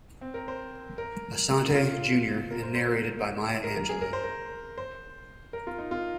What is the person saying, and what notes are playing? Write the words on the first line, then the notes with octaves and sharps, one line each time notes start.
Asante, Junior and narrated by Maya Angelou.
C4
A#4
C5
A#4
F4
A#4
C5
C5
A#4
A#4
A#4
G#4
A#4
C5
A#4
C5
A#4
F4
D#4
F4